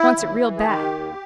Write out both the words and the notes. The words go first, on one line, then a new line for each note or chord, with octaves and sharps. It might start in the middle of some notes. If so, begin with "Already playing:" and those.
Wants it real bad.
Already playing: E4
D#2
E3
G#4
D#3 G4
D#2